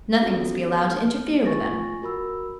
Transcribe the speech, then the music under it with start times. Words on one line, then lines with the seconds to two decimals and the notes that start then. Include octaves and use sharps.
Nothing must be allowed to interfere with them.
0.21 B3 C#4 F4 F#4 A4
0.92 F6
1.45 A3 F4 G#5 C#6 A6 A#6
2.02 F#4 A#4 B5 E6